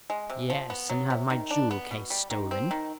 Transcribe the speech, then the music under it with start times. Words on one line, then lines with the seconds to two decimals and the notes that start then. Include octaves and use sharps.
'Yes, and have my jewel-case stolen!
0.10 G#3
0.30 C3
0.50 F3
0.70 B3
0.89 F#3
1.10 C3
1.30 D#3
1.51 D4
1.71 B3
1.91 B2
2.10 G3
2.31 D#3
2.51 C4
2.71 D#3